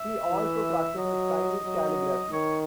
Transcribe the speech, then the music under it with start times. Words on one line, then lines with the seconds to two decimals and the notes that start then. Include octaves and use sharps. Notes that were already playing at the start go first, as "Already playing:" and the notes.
He also practices Chinese calligraphy.
Already playing: E5
0.30 E3
0.97 F#3 D#5
1.65 F#3
2.32 D#3 C#5